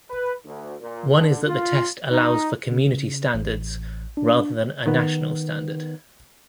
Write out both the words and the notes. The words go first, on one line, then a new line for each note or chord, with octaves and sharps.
One is that the test allows for community standards rather than a national standard.
B4
D2
A#2
D3
F4
D#4
C#3
A1
D4
D#3 B3